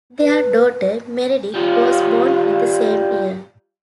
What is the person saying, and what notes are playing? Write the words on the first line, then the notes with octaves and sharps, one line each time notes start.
Their daughter Meredith was born in the same year.
B4
G3 F4